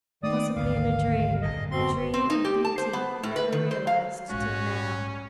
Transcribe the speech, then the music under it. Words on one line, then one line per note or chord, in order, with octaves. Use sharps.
"Possibly in a dream,--a dream of beauty never realized till now!"
D#3 A3 A#3 D5 D#6
G#1 D2 F5
G1 F#2 A2 D#5
B2 C4 C6
C4
D#4
G4
A5
C5
B3
A2
B4
D#3
C5
F5
A#1 G#2 C#4 F#4